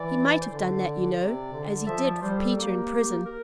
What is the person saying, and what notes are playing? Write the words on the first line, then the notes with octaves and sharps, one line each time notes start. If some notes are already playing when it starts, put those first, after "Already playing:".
He might have done that, you know, as he did for Peter in prison.
Already playing: E3 D5
C5
D3 D5
C3
D3
F3 E5
D5
G3 C5
A4
A#3 G4
A#4